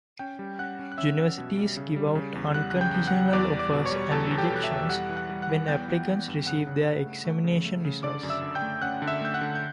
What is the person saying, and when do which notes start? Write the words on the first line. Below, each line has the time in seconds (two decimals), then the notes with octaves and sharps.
Universities give out unconditional offers and rejections when applicants receive their examination results.
0.19 C#4 G5 G6
0.39 G3
0.59 C#4 F#5 F#6
0.79 C#4
0.92 F#6
0.98 C#4 E5 E6
1.18 C#4
1.38 B2
1.57 G3
1.76 C#3
1.96 G3
2.15 C#3
2.35 E2
2.54 G3 F#5 F#6
2.70 C#3 F#6
2.81 G5 G6
2.94 E2
3.07 F#5 F#6
3.13 G3
3.33 E2 D5 D6
3.54 G3
3.59 D5 D6
3.72 B2
3.86 C#5 C#6
3.92 G3
4.11 E2 A4 A5
4.31 E2
4.38 G4 G5
4.51 B2
4.56 F#6
4.64 E5 E6
4.71 E2
4.89 G3 F#5 F#6
5.09 E3
5.17 F#5 F#6
5.29 G3
5.42 F#5 F#6
5.49 E3
5.68 B3 G5 G6
5.88 E3
6.07 B3
6.28 G2
6.46 C#3 F#5 F#6
6.67 C#3
6.87 C#3
7.06 A3
7.25 A3
7.44 C#3
7.65 A3
7.85 C#3
8.03 D3 D5 D6
8.23 F#2
8.30 E5 E6
8.43 D3
8.55 G5 G6
8.62 A3
8.82 C#4 F#5 F#6
9.02 D3
9.07 E5 E6
9.21 A3 G6
9.34 F#5 F#6
9.41 D3
9.55 G6